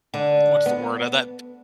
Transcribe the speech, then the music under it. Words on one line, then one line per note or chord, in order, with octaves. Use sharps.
What's the word uh, that
D3
B3